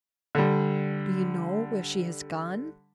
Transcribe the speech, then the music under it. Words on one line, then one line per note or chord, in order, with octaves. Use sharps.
"Do you know where she has gone?"
D3 G3